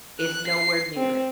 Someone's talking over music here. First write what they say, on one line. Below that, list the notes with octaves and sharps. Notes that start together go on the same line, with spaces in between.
is nowhere near it.
F#6
C7
C4